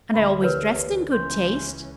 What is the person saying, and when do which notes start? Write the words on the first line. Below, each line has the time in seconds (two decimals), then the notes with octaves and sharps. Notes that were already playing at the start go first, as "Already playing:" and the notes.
"And I always dressed in good taste."
0.12 D2 D3 E3 E5 B5 C6
0.42 G4 A#4 B4 C#5
1.12 C#2 E3 C#4 C6 G6